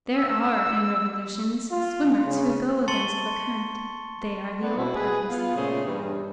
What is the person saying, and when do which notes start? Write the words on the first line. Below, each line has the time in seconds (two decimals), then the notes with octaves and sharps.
There are, in revolutions, swimmers who go against the current; they are the old parties.
0.15 E6
1.71 F4
2.25 C#3
2.88 A5 C6 C#6 A6 C#7 G7
4.61 B3 D4
4.78 B2 E4 F#4
4.96 G#4 B4
5.29 B3 F4
5.56 A#2 C#3 A3 G#4 C5 C#5
5.85 G2 E3 G3